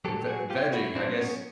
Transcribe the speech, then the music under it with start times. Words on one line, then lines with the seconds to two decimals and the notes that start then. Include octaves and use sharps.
and v vegging, I guess,
0.05 A#2 F#3 G4 A4
0.27 F#4 G#4
0.50 F4 G4
0.73 E4 F#4
0.95 A#2 F#3 C4 D4
1.18 B3 C#4